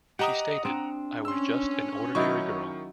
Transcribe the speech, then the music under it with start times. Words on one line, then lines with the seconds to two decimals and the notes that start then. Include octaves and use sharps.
She stated, I was just an ordinary girl.
0.19 G4 D#5 F#5 A#5 D#6
0.65 C4 D4
1.25 C#4 C6 E6
2.15 D#3 F#3 D#4 E4 C#6